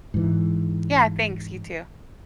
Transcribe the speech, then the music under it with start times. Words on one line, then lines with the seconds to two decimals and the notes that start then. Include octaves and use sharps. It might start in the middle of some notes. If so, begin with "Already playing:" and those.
Yeah, thanks, you too.
0.14 G#2 E3